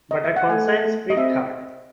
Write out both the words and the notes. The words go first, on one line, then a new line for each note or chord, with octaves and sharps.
But her conscience pricked her.
D#5
E5
F#5
A3 G#5
D#5
C4 E5